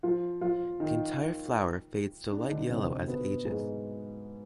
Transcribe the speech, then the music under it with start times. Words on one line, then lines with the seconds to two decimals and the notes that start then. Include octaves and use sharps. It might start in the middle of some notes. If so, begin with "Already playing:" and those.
The entire flower fades to light yellow as it ages.
0.03 F3 F4
0.41 F3 F4
0.80 D#3 D#4
2.32 D4
2.41 D#4
2.51 D3 D4
2.69 C3 C4
3.07 B2 B3
3.45 G#2 G#3